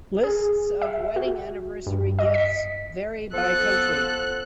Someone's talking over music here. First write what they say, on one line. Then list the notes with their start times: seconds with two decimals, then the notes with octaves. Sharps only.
Lists of wedding anniversary gifts vary by country.
0.23 G#4
0.82 E5
1.16 F#4
1.86 G2
2.19 D#5
2.34 B6
3.34 F3 B3 A4 F#6